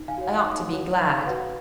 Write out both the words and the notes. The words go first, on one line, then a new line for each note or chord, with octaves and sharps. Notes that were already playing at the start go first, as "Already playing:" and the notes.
I ought to be glad.
Already playing: D#4
F5 G#5
F#4 C#5
F#5
D#4
F#4 C#5
D#4 F5
F#4 B4 F#5